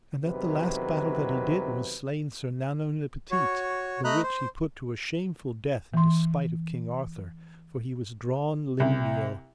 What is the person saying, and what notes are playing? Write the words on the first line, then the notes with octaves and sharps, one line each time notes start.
And at the last battle that he did was slain Sir Nanowne le Petite, the which he put to a shameful death in despite of King Arthur, for he was drawn limb-meal.
E2 C3 D#3 F#3 B4
F#4 C#5
A3 D#5 A#5 B5 F#6
C5
E3 C6
C2